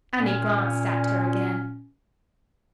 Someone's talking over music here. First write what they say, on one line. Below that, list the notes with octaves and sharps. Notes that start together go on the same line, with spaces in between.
Annie glanced at her again.
A#2 C#4